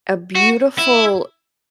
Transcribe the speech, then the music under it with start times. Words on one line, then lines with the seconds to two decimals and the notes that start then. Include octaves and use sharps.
a beautiful
0.35 F#4
0.78 E4